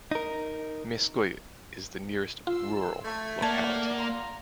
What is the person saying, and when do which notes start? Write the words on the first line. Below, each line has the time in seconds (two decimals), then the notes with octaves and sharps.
Mayskoye is the nearest rural locality.
0.11 D#4 A#4
2.47 F4 C6 E6
3.05 A3 G#6
3.42 A#3 D5 F#5 A5 G#6
3.98 F4 A#5